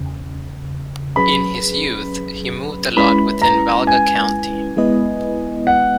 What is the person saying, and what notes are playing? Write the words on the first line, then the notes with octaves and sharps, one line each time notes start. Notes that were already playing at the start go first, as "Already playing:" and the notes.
In his youth he moved a lot within Valga County.
Already playing: E2 C#3
F#3 C#4 G#4 B4 B5
G#3 C#4 E4 B4 B5
A#5
G#5
G#3 B3 E4 B4 D#5
F#5